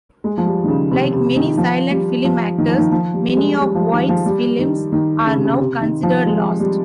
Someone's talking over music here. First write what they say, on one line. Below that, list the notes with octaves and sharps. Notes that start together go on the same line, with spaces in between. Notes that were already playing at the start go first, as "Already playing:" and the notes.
Like many silent film actors, many of White's films are now considered lost.
G#3
F3
G3
D#3
C#3
C3
C3
D#3
F3
G3
F3
D#3
F3
D#3
F3
G3
G3
G#3
G3
F3
D#3
F3
G3
D#3
D#3
C#3
C3
C#3
C3
D#3
F3
G#3
G3